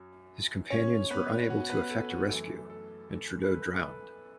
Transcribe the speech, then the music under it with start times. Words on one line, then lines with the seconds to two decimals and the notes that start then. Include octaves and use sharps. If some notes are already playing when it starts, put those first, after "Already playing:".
His companions were unable to effect a rescue, and Trudeau drowned.
Already playing: F#2 F#3
0.70 C#4 C#5
1.10 B3 B4
1.50 F#4
1.70 B3 B4
1.90 A4
2.10 F#4
2.29 F#2 E3 A3 A4
2.70 A4
3.09 A4
3.44 B4
3.49 A4
3.80 B4
3.88 A4